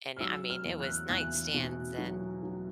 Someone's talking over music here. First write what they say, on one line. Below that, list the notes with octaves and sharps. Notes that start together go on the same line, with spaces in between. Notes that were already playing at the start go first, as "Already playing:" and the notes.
and, eh, I mean it was nightstands and
F6
F#3 E6
F6
E2
F#6
E2 F#6
B2
F#3
F#3